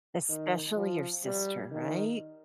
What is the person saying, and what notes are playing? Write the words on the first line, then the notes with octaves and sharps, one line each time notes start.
Especially your sister. Right?
D#3
F3
G3
D#3